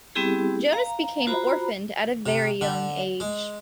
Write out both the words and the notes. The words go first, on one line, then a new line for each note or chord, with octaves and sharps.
Jonas became orphaned at a very young age.
G3 B3 C4 E4 G4 G#4
F5 A#5
F4 F#4 C5 A#5 B5
C3
D3
G#3